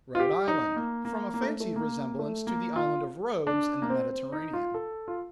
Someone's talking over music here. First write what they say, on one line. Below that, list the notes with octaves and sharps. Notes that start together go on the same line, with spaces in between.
Rhode Island--From a fancied resemblance to the island of Rhodes in the Mediterranean.
F4
G4
D#4
A#3
A#3
A#3
A3
A3
A#3
A3
A#3
F4
D4
A#3
C4
C4
D#4
F4
A4
F4